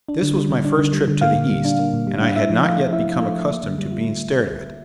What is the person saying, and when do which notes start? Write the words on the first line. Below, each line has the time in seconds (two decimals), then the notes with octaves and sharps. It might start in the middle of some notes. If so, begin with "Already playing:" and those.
This was my first trip to the East, and I had not yet become accustomed to being stared at.
0.09 D4
0.22 D3
0.37 G3
0.51 D3
0.65 D4
0.79 D3
0.93 G3
1.08 D3
1.21 A#3 F5
1.36 A#2
1.50 G3
1.65 D4
1.79 A#3
1.93 A#2
2.07 G3
2.21 D4
2.36 E4 E5
2.50 F3
2.64 A3 F5
2.79 F3
2.92 E4 E5
3.08 F3
3.22 A3
3.36 F3
3.49 A#3
3.63 D3
3.79 G3
3.92 F4